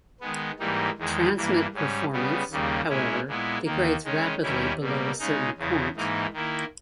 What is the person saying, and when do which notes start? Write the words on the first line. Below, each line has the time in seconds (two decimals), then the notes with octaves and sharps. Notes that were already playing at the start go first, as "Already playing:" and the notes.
Transmit performance, however, degrades rapidly below a certain point.
0.21 D#3 G#3 B3
0.59 G#2 E3 G3 A#3 D#4
0.98 E2 D#3 G#3
1.36 G2 E3 A#3
1.74 G#2 G3 C#4
2.13 C#3 G3 B3
2.50 D#2 C#3 G3 A#3
2.89 A#2 G#3 C#4 E4
3.28 A#2 G#3 B3 E4
3.65 D#2 D#3 A#3
4.05 D#3 G#3 C#4
4.43 D#2 D#3 G3 C#4 E4
4.80 B2 G3 A#3
5.19 C#3 G#3 D#4
5.58 E2 C#3 E3
5.96 G#2 E3 A#3 D#4
6.34 D#3 A#3 E4